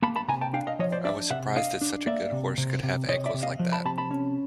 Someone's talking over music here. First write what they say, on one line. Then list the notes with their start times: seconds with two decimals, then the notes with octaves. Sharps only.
I was surprised that such a good horse could have ankles like that.
0.02 A#3 A5 B5
0.16 A5 B5
0.28 C3 G#5 A#5
0.41 G5 A5
0.53 D4 F5 G5
0.67 D#5 F5
0.79 F3 C#5 D#5
0.92 C5 D5
1.05 D4 D5 E5
1.30 C3 E5 F#5
1.56 D4 D#5 F5
1.81 D4
2.07 A#3 D5 E5
2.32 C3
2.58 C3
2.83 C3
3.09 C3 C#5 D#5
3.26 D5 E5
3.34 C3
3.43 D#5 F5
3.59 F3
3.72 A5 B5
3.85 C3 A5 B5
3.98 A5 B5
4.11 C#4